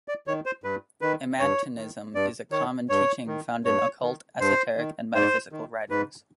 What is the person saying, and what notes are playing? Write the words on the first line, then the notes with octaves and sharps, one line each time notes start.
Emanationism is a common teaching found in occult, esoteric and metaphysical writings.
D5
D#3 C#5
C5
G2 B4
D#3 B4
G2 C#5
D#3
G2 D5
D#3 C#5
G2 C#5
D#3
G2 C#5
D#3
G2 C5
D#3
G#2 C5
D#3
G#2 B4